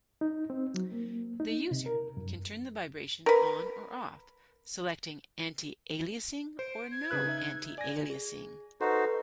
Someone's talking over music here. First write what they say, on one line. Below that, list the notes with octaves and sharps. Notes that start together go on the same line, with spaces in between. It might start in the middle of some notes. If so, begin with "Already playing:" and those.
The user can turn the vibration on or off, selecting anti-aliasing or no anti-aliasing.
D#4
C4
F#3
A#3
D#4
C3
A#4
F#2
A#4 B4
C5 D7
G#6
C#3 B4 F#6
D#4 E5
D5 G#5 A#6
G#4
D#4 F#4 A4 B4 C5